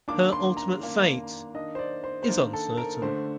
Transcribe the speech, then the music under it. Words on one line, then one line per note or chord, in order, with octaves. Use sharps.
Her ultimate fate is uncertain.
D#3 A#3 D4 D6
C6
A#5
D#3 A#3 D4
D#3 A#3 D4 D#5
C5
D5
C5
C5
D#3 A#3 D4 A#4
A4
A#4
D3 A3 D4 C5